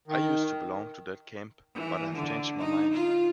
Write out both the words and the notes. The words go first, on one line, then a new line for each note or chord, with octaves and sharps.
I used to belong to that camp, but I have changed my mind.
D#3
E3
D3
D#4
F4